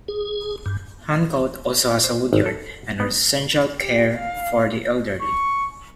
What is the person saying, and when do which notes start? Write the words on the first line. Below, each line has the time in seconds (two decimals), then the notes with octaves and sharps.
Huncote also has a woodyard, and a residential care home for the elderly.
0.08 G#4
0.66 G2
2.04 C5
2.33 G#1
2.46 A4
3.00 B3
3.78 G4
4.17 F5
5.21 C#6